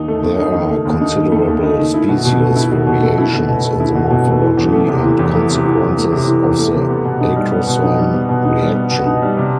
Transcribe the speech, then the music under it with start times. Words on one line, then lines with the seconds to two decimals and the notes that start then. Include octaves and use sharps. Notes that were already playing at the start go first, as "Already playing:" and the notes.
There are considerable species variations in the morphology and consequences of the acrosome reaction.
Already playing: D#2 D#3 D#4
0.08 A3
0.23 D#2
0.39 D#4
0.54 D#3
0.70 A3
0.85 D#2
1.01 D#4
1.17 D#3
1.32 A3
1.47 D#2
1.63 D#4
1.79 D#3
1.94 E4
2.09 B2
2.25 B2
2.40 A3
2.56 E4
2.71 B2
2.87 B2
3.02 A3
3.18 E4
3.33 B2
3.49 B2
3.64 A3
3.80 E4
3.95 B2
4.11 B2
4.26 A3
4.42 E3
4.57 E2
4.73 A3
4.88 C3
5.04 E3
5.19 E2
5.35 A3
5.50 C3
5.65 E3
5.81 E2
5.97 A3
6.12 C3
6.27 E3
6.43 E2
6.59 A3
6.74 C3
6.90 B3
7.05 B2
7.21 D#4
7.36 G3
7.52 B3
7.67 B2
7.83 D#4
7.98 G3
8.14 B3
8.29 B2
8.45 D#4
8.60 G3
8.75 B3
8.91 B2
9.06 D#4
9.22 G3
9.37 C3